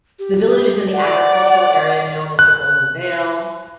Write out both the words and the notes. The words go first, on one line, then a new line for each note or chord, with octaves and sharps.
The village is in the agricultural area known as the Golden Vale.
G4
D5 F#5
F#6